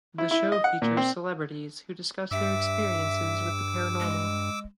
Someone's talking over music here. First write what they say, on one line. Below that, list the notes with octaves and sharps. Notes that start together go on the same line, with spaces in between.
The show features celebrities who discuss their experiences with the paranormal.
E4
E4
D#5
F#5
A#2
C4
G2 E5 D6 E6
G#3